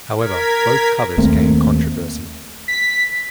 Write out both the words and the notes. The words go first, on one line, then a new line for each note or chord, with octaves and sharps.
However, both covers gained controversy.
A#4 G#6 B6
D#2 A3 A#3 C4
B6